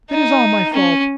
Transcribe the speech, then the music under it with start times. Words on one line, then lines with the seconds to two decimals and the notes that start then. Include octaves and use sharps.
It is all my fault.
0.10 D#4
0.73 C#4